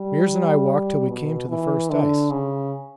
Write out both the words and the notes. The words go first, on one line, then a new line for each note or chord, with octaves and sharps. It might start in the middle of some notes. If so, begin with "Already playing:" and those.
Meares and I walked till we came to the first ice.
Already playing: G3
B2
E3
D3
C#3